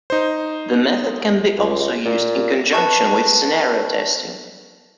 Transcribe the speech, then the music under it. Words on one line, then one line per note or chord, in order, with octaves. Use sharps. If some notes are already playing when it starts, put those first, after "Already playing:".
The method can also be used in conjunction with scenario testing.
D#4 C5
C#2
A#2
B4 A5 C#6